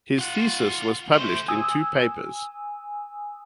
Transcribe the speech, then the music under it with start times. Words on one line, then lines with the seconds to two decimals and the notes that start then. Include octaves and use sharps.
His thesis was published in two papers.
0.19 F4 F#5
1.14 A3 C5
1.48 G#5 D#6 E6